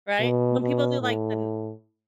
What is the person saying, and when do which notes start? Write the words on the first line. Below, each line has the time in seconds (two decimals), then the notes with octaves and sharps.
right? When people do, like, the
0.20 B2
0.60 B2
1.00 A2